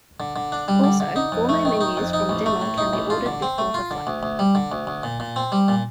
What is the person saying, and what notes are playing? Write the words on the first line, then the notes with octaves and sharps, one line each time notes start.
Also, gourmet menus from Demel can be ordered before the flight.
D3
D3
D4
G3
D3
D3
D#4
F2
A3
D#3
D#4
F2
D#4
A1
A3
A2
D#4
A1
F4
D3
C4
A3
F4
D3
D2
D2
G3
D3
D2
D2
A#2
A#2
C4
G3
A#2